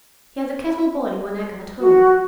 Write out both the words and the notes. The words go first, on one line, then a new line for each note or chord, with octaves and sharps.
He had the kettle boiling when I got home.
F#4